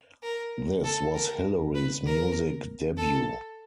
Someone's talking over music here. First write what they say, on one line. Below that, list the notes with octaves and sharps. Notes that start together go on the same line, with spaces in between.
This was Hilary's music debut.
A#4
A4
A#4
B4
A#4
A4